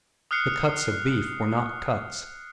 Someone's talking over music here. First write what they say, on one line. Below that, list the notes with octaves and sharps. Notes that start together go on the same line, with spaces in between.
The cuts of beef were not cuts.
D#6 F6 F#6 C7 C#7